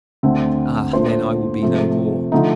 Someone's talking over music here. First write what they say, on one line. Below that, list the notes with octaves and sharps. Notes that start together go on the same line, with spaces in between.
Ah! then I will be no more!
D2 D3 A3 C4
A#2 A3 D4 F4 C5
C3 F3 A3
D3 F3 A3 D#4